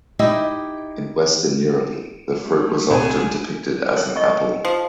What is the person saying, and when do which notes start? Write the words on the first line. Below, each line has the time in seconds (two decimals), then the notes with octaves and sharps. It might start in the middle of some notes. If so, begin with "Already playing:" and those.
In Western Europe, the fruit was often depicted as an apple.
0.19 D#4 E4 G4 D#5
2.37 G3 A3
2.90 C2 G#4
3.97 C#5
4.16 D#5 C#6
4.65 F3